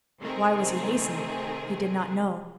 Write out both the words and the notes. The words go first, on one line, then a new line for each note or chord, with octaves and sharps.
Why was he hastening? He did not know.
C3 D#3 A3 C4 G#4 A#4